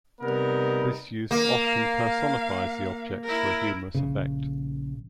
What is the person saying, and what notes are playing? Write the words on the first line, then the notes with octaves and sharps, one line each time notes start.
This use often personifies the objects for a humorous effect.
C3 G3 B3 D#4 A#4
A#3
F5
E4 A#4
A#1 C#3